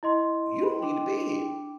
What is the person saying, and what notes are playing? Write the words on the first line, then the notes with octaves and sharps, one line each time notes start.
you don't need to be here.
E4 D#5 C6
D4 G5